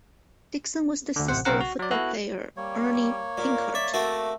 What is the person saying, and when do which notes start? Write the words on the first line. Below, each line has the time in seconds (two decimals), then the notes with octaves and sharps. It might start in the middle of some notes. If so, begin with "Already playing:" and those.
Dixon was the sister of football player Erny Pinckert.
1.16 D2 D3
1.28 A1 C3 C5 F#5
1.45 B1 C#3 C4 A#4 F#5
1.61 F#4
1.79 F#3 D5
1.91 B3 E4 F#4 A4 F#6
2.57 G3 A#3 C#5
3.38 A#2 A#4 D5 F5
3.75 D5 E5 A6
3.94 A3 A#3 C4 F#4 E5 C#6